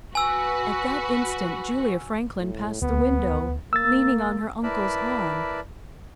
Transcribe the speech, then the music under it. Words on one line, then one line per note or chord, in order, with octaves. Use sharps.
At that instant Julia Franklin passed the window, leaning on her uncle's arm.
F#4 B4 G#5 E6
A2
D2 B3
A#3 E6 A6
E4 A#4 B4 D5 A5 B5